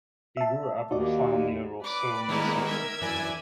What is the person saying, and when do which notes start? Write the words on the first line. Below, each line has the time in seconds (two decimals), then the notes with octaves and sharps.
He grew up on a farm near Roseau, Minnesota.
0.37 E5 A5
0.91 D#2 D#4 F#4 D5
1.84 B4 D5 D6
2.29 D#3 G#3 A#3 B3 E4
2.66 A#4 E5 G#6
3.01 F#2 E3 D5 G#5